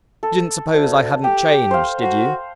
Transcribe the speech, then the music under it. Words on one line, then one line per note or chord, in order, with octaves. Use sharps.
"You didn't suppose I hadn't changed, did you?"
A4
D2
G4 G5
C5 F5
F#4